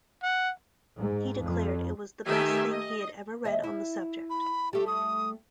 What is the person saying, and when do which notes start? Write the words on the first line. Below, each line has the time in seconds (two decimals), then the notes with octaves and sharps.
He declared it the best thing he had ever read on the subject.
0.23 F#5
0.97 G#2
1.42 F2
2.25 D#3 A3 G4 E5 G#5
2.70 D#5
3.44 D#2 D#5 E5
3.63 E4
4.30 B5
4.73 G3 A3 G4
4.87 D#6